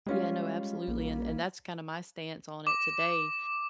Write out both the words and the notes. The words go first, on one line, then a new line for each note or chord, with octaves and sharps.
Yeah, no, absolutely, and and that's kind of my stance on it today,
G3 G#3 C#4 F4
A#1 A#3
D6